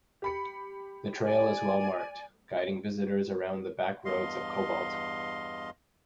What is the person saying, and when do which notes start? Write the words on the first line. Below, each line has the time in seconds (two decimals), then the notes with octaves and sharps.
The trail is well marked, guiding visitors around the backroads of Cobalt.
0.22 G4 B5 C#7
1.23 D5 G#5
4.05 E2 G2 D#5 F5 C6